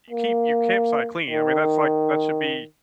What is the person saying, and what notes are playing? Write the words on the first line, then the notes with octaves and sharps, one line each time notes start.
keep your campsite clean. I mean, that's, like, that should be
A#3
D#3